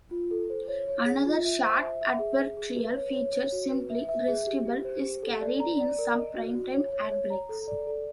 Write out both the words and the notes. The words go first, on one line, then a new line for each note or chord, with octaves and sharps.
Another short advertorial feature, "Simply Irresistible" is carried in some primetime ad breaks.
F4
A4
C5
C#5
C#5
G#4
F4
E5
C5
E5
E5
G#4
G#4
G#4
B4
C#5
C#5
C#5
F#4
B4
E5
E5
G#4
G4
G4
C5
G4
A4
D5
A#5
D5
A#4
D#5
F#4
F#4
C#5
C#5
C#5
A#5
A4
D5
A4